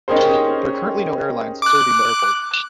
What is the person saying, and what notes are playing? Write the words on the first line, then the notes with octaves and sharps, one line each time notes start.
There are currently no airlines serving the airport.
C#4 D#4 G4 G#4 A#4 C5
D6 F#6